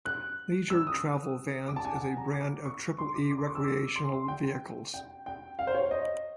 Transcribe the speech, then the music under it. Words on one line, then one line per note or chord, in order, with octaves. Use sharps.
Leisure Travel Vans is a brand of Triple E Recreational Vehicles.
F#6
E6
D#6
D6
A5
G#5
F#5
G#5
A#5
D6
C#6
C6
D6
D6
C6
C#6
E6
D6
C6
C6
G5
G5
G5
F5
C5
C#5
D#5